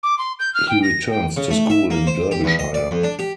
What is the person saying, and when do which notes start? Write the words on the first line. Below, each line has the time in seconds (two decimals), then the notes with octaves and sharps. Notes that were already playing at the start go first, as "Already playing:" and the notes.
He returns to school in Derbyshire.
0.03 D6
0.18 C6
0.39 G6
0.54 F6
0.69 G5
0.83 A#6
1.10 G5
1.37 C#3
1.50 A3
1.70 E5
1.90 A#3
2.07 C5
2.31 G4
2.44 E2
2.59 D#5
2.74 D5
2.91 F2
3.03 D4
3.19 G4